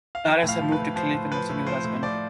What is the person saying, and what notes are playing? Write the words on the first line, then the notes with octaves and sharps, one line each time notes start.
Alice had moved to Cleveland with her new husband.
F5
F3 G5
A2
F5
F3
B4
A2
F3 C5
A2
F3 B4
A2
F3 C5
A2
F3 D5